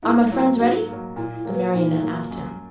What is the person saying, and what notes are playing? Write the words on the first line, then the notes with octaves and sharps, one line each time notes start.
"Are my friends ready?" the Marionette asked him.
G#2 E4
F#3 A#3 E4
G#2 F#4
F#3 A#3
A#2 E4
E4
F#3 A#3
B4
A#2 D#4
F#3 A#3
F#2